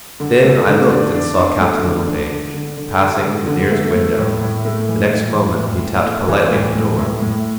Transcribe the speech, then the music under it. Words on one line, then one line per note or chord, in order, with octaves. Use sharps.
Then I looked, and saw Captain Littlepage passing the nearest window; the next moment he tapped politely at the door.
D3
A3
D3
D4
D4
D4
A3
D3
D4
D3
D3
D3
D3
D3
D3
A3
A3
A2
A2
A3
E3
A2
E3
A2
A2
A3
E3
A2
A2
A2
A2